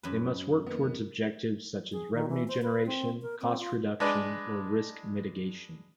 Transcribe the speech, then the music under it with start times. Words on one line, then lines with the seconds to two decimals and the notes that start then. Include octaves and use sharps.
They must work towards objectives such as revenue generation, cost reduction, or risk mitigation.
0.03 F#2 B4
0.66 D#3 A#3 B3
1.92 G#4
2.14 D#3
2.29 E3
2.48 C5
2.62 B4
2.86 C4
3.22 A#4
3.41 C4
3.59 F4
4.00 G#3 D4 B4 D5